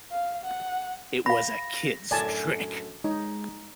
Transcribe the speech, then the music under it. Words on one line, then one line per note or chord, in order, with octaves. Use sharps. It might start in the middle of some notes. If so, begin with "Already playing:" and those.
It was a kid's trick.
F5
F#5
F5 B5 A#6
F#2 A2 D3 D5 G#5 A5
G#3 D#4 C#5